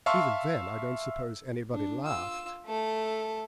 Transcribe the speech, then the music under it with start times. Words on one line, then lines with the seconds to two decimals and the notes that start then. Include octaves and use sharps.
"Even then I don't suppose anybody laughed."
0.06 E5 F5 A5 C6 C#6 E6
1.71 D4
2.04 F4 E6
2.66 A3 A4